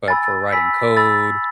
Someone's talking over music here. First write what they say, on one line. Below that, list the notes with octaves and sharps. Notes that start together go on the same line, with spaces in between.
but for writing code,
G#5 B5 E6 A6
G#5 B5 E6 B6
G#5 B5 E6 A6